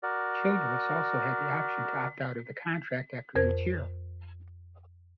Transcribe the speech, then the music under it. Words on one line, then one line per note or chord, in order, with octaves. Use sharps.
Childress also had the option to opt out of the contract after each year.
F#4 A#4 D5
F2 A#4 C5 A5 G#6